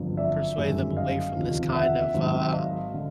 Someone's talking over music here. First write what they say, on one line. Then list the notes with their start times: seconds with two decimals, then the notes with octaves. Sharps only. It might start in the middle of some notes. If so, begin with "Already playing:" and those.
Persuade them away from this kind of, uh
Already playing: G1 F2 D3 F#3
0.17 D5 E5
0.58 G1 F#2 D#3 G#3
0.97 D#5 F5
1.35 F1 D#2 D3 F3
1.74 E5 F#5
2.14 G#1 G#2 D#3 F#3
2.53 D#5 F5
2.94 D3